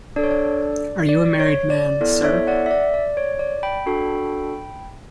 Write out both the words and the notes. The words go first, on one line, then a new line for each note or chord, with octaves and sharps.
Are you a married man, sir?
D4 A4 D5
C#5
D5
D5
C#5
D5
B3 E4 A4 D5
C#5 E5
D5 F#5
E5
D5
D5
C#5
D5
G5 B5
D4 F#4 A4